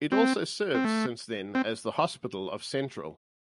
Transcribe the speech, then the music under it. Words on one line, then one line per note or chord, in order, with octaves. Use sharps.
It also serves since then as the hospital of Central.
C4
C4
A3
C4